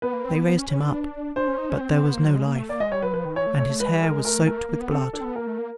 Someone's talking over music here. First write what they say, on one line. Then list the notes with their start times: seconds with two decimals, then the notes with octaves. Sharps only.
They raised him up, but there was no life, and his hair was soaked with blood.
0.02 B3 B4
0.13 A#3
0.25 C4
0.36 B3
0.48 B3
0.59 C#4
0.69 C#4
0.80 D4
1.36 D4 C5
1.48 C#4
1.58 D#4
1.70 C#4
1.81 C4
1.91 C4
2.03 B3
2.14 A#3
2.25 F#3
2.36 G#3
2.47 A#3
2.58 A3
2.69 A#3 D5
2.80 G#3 D#5
2.92 G3 C#5
3.02 F#3 B4
3.13 F3 B4
3.25 D#3
3.35 E3 C#5
3.47 A3
3.58 A3 C#5
3.69 A3
3.80 G#3 B4
3.91 G3
4.02 G#3 A#4
4.25 A3 A#4
4.47 A3 A#4
4.58 A#3
4.69 A#3
4.80 B3
4.91 C4 A4
5.13 D4 A4
5.21 C4
5.24 B3
5.36 A#3 A#4
5.47 A3
5.58 A#3